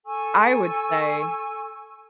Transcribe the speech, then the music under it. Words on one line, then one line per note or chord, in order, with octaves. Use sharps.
I would say
A4 G#5 C#6 E6